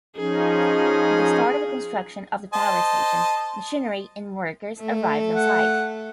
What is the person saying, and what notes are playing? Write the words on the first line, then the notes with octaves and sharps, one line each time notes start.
The start of construction of the power station: machinery and workers arrived on site.
F3 C#4 D#4 G#4
C5 D#5 A5
A3 A4
F#5